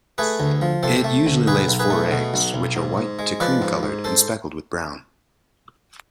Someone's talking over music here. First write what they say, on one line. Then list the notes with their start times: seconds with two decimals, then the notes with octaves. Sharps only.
It usually lays four eggs, which are white to cream-colored and speckled with brown.
0.18 A3 G#4 B4
0.40 D2
0.61 F3
0.83 C3 A4 C5
1.04 A3
1.26 D2
1.47 B1 G#4 B4
1.68 B1
1.79 G#4 B4
1.90 A3
2.12 B2
2.34 B1
2.54 B1
2.76 G#2
2.98 G#2
3.19 G#3
3.40 F3 B4 D5
3.62 G#2
3.83 G#2
4.04 A4 C5